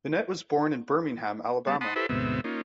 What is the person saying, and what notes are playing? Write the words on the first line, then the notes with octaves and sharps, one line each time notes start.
Bennett was born in Birmingham, Alabama.
G3 B3 A5
F#5 A5 B5 C6 D#6
E4 G4 A4 B4 C5 E5
D2 G#2 B2 B3 C4 E5
A#3 C#4 D#4 F4